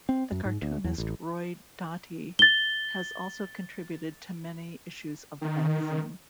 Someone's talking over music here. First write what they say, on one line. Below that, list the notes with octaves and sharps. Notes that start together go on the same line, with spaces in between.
The cartoonist Roy Doty has also contributed to many issues of the magazine.
C4
F#2
G#2
D2
E2
A1
A6 G7
D#3